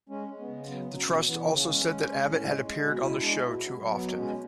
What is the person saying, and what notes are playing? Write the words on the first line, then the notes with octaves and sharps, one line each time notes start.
The Trust also said that Abbott had appeared on the show too often.
G#3 C#4
G#3
B3
C#3
F#3 B3
F#3
C#4
B2
E3 B3
C#3
C#4
G#3
G#3
G#3
A2
G#3
G#3
B2
G#3 E4
G#3 D4
B2 E4
F#3
F#3
B3
B2
G#3 C#4